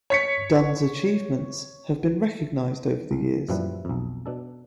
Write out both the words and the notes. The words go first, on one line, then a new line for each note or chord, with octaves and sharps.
Dunn's achievements have been recognized over the years.
C#5 B6 C#7
C2
F#2 A#2 F3 G3 E4 B4
B1 F2
B2 D4 A4